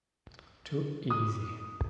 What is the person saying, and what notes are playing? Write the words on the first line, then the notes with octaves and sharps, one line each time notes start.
Too easy.
D#6